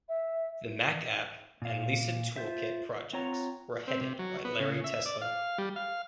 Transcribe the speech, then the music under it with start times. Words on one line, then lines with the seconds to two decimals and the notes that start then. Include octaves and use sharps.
The MacApp and Lisa Toolkit projects were headed by Larry Tesler.
0.09 E5
1.62 A#2 F5
2.36 F4 C5 E5
3.13 C4 F4 C#5 F#5 A#5
3.87 C4
4.01 C3
4.19 F#3
4.45 B3
4.60 C#3
4.84 E5
5.06 D5
5.22 F5
5.58 G3
5.76 F5